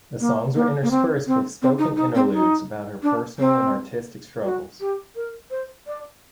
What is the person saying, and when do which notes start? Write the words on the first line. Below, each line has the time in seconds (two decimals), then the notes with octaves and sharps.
The songs were interspersed with spoken interludes about her personal and artistic struggles.
0.20 A#3
0.55 A#3
0.83 A#3
0.91 C4
1.27 C4
1.62 C4
1.79 D#4
1.96 D#4
2.15 C4
2.33 D#4
3.03 D4
3.39 C4
4.45 F#4
4.80 G4
5.15 A#4
5.51 C5
5.87 D5